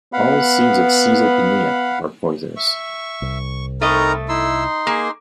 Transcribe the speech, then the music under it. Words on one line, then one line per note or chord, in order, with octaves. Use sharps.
All seeds of "Caesalpinia" are poisonous.
B3 F5 F#5 B5
E5 C#6
C2
A3 C4 D#4 E4 A#4 D#5 A#5
D#4 E4 C6 E6
A#3 G#4